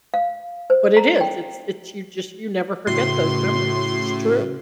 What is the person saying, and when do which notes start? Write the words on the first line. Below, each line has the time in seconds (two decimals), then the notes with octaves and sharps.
but it is, it's it's you just you never forget those memories. It's true.
0.14 F5
0.70 C5
0.97 A#5
1.21 G5
2.87 A2 C#3 F#4 C6